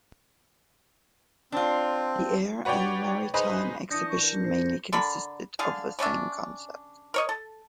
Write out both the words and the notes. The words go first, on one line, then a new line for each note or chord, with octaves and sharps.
The air and maritime exhibition mainly consisted of the same concepts.
C4 D4 F4
F#4 B4 C#5 D5 G5
D#4 G#4 B4 C5 D#5
E3 D4 D#6 G6 A#6 C#7
C#6
A#4
C5
D3 A4 A#4 B5
D3 G#4 F5
C#3 C#4 D4 E5
A#4 C#5 D#5
A4